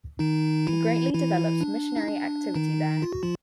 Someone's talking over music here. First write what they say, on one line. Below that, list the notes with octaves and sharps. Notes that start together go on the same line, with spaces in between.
He greatly developed missionary activity there.
D#3 D#4
E3 E4
E3 E4
D4
D#4
D4
D#3 D#4
F4
F#4
F3 F4